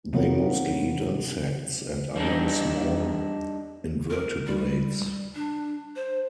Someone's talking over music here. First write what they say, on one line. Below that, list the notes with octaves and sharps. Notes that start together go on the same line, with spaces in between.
They mostly eat insects and other small invertebrates.
C3 D#3 F3 F#3 A#3 B3
G3 D4 D#4
A#4
G3
D4
C5